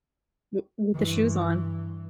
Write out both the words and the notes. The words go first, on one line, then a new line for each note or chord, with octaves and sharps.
W with the shoes on.
G2 E3